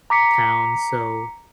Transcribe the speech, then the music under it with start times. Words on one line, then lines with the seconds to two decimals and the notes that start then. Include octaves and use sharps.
town, so,
0.10 A#5 D6 B6 C#7